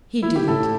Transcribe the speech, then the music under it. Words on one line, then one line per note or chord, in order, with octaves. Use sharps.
He didn't.
E4
G4
A2 E4 A4